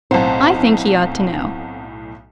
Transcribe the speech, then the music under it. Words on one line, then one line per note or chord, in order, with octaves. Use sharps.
I think he ought to know.
B1 A2 C4 C5 F5 F#5 A5 A#5